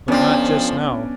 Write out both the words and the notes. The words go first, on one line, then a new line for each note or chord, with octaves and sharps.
But not just now.
F2 F3 B3 C#4 D4 D5